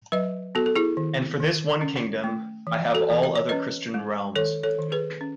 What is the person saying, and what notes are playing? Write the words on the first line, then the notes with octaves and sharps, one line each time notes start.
And for this one kingdom, I have all other Christian realms.
F#3 B4 D#5
B3 F#4 A4
A4
E4 G#4
D#3
D#3
C#4
A3
E3
F#4 A4
E3
D#5
C#5
C#4 B4 D#5
G#3
D#3 A4 C#5
A4 C#5
D#3
G#4 B4
C#4